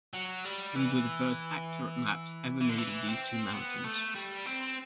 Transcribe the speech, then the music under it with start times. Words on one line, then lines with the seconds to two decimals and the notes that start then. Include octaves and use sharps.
These were the first accurate maps ever made of these two mountains.
0.14 F#3
0.45 G3
0.76 E3
2.61 E3
2.69 D3
2.78 E3
3.07 C4
3.53 B3
3.84 A3
4.15 G3
4.46 C4